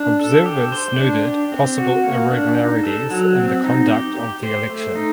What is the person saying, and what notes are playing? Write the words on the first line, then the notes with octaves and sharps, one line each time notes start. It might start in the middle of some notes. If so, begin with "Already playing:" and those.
Observers noted possible irregularities in the conduct of the election.
Already playing: D4
A4
G4
C5
D4
G4
C4
F#4
A#3
D4
D#4
A4
F#3
C4
D#4
G4
G4
C5
A3
D#4